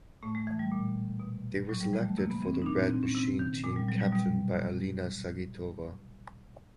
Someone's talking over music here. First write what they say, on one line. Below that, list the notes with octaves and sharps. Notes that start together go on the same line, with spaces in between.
They were selected for the Red Machine team captained by Alina Zagitova.
A2 A3
G#3
E3 A3
G3
A#2
B2
A2 F#3
G3
E3 G#3
A3
C3 A#3
B3
E3 C4
C#4
D#4
A#2 D4
C4
C4
C#4
C3 C4
D#3
A#2 G#3
G3
F#3
G3
B2 G3